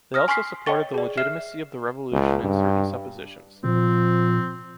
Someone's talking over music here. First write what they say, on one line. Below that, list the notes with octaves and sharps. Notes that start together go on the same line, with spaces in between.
They also supported the legitimacy of the revolution in certain suppositions.
D#6 F6 A#6
G#5 C6 C#6 F6 B6 C7
C#5 D#5 G5 C#6 A6
G#4 D5
E5 F6 C7 E7
C#2
G2
A#2 F3 C4